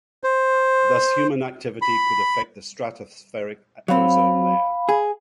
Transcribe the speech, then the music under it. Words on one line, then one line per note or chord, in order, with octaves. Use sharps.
Thus human activity could affect the stratospheric ozone layer.
C5
B5
F#3 C4 F5 B5
G#4